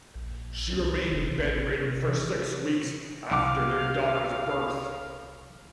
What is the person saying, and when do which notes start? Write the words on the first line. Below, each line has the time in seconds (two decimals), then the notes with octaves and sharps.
She remained bedridden for six weeks after their daughter's birth.
0.15 A#1
0.75 C2
1.11 F1
1.29 A1
1.81 C3
2.08 E3
3.31 C2 F5 D6